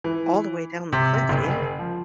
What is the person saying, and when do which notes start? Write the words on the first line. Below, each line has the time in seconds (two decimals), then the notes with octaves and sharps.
All the way down the cliff, yeah.
0.04 E3
0.92 C3
1.16 C3
1.29 F#1
1.79 F3